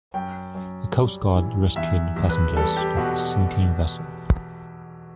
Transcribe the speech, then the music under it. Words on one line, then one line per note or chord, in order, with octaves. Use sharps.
The coast guard rescued passengers of a sinking vessel.
F#2 G5
F#2
G3
E3
E2 E5
E2
B4
G3 A4
G4
B2 F#4